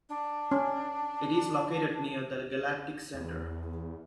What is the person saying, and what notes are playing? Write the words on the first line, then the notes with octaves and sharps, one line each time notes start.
It is located near the Galactic Center.
D4
C#4
E2